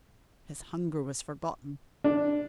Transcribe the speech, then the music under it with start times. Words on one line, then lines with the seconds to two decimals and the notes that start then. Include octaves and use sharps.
His hunger was forgotten.
2.04 D4